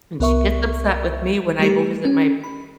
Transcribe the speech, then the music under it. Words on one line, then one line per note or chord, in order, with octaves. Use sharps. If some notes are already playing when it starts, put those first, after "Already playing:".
and she gets upset with me when I go visit my
C2 B3 A#4 E5 C#6
G3 A3 G4
C#4
B5